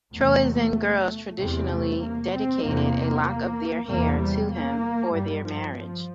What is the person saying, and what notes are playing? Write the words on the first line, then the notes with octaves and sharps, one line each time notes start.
Troezen girls traditionally dedicated a lock of their hair to him before their marriage.
E2 C3 A3
E2 C3 G3
A3
A#3
C4
E2 C3 A#3
E2 C3 A#3
G3
A#3
G2 G3
F3
F3